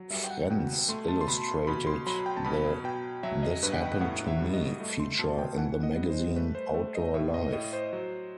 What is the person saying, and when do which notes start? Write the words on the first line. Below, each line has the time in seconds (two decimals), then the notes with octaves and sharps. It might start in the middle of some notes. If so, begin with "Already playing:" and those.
Frenz illustrated the "This Happened to Me" feature in the magazine "Outdoor Life".
Already playing: F#3
0.11 G3 E5
0.24 G5
0.30 F#5
0.50 B2 G5
0.89 A3 C6
1.08 A5
1.21 C6
1.28 B2 B5
1.48 C6
1.67 B2 B5
1.87 C6
2.06 F#3 B5
2.26 G5
2.37 A5
2.45 B2 B5
2.84 B2 G5
3.23 F#3 E5
3.43 D#5
3.63 G2 B4
3.74 F#5
3.82 G5
4.01 A2 F#5
4.28 E5
4.40 G3
4.54 D#5
4.80 A3
5.00 C6
5.19 B2 A5
5.39 G5
5.57 E3 F#5
5.83 D#5
5.96 G3
6.10 C5
6.36 A3 B4
6.55 C5
6.74 A3 C5
6.95 D#5
7.14 A2 E5
7.34 D#5
7.52 A2 D#5
7.73 C5
7.93 F#3